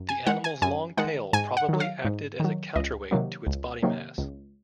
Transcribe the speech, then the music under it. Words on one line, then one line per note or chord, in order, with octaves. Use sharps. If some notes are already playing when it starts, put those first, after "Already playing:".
The animal's long tail probably acted as a counterweight to its body mass.
Already playing: F#2
G#5
D#3 G#3 F#5
G#5
F#2 G#5
D#3 G#3 F#5
G#2 G#5
F#5
D#3 F#3
F5
G#2
D#3 F#3
C#2 D#5
C3 D#3 F#3 A#3
C#2
C3 D#3 F#3 A#3
C#2